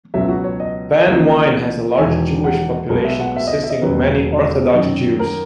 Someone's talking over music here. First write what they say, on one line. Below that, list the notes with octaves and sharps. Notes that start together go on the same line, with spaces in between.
Penn Wynne has a large Jewish population consisting of many Orthodox Jews.
C#2 B2 F#3 E5
F#4
C#5
D#5
C#2 C#3 E3 A#3
E1 E2 D#3 G#5
F#5
B1 B2 G#3 A#4
E5
F#5
E5
D#5
E5
D#5
E1 D#2 C#3 F#3 A#3 B4
F#2 D#3 F#3
A#4